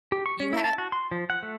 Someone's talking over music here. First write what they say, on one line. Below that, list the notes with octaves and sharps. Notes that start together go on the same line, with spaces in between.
You ha
G4
C#6
C#4
E4
A5
F#4
C6
F3
F#5
A3